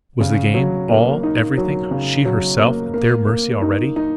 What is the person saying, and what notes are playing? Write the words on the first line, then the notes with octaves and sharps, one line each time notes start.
Was the game, all, everything, she herself, at their mercy already?
C#3
F#3
A#3
D#4
F#3
C#3
F#3
A#3
A#3
A#3
D#4
D#4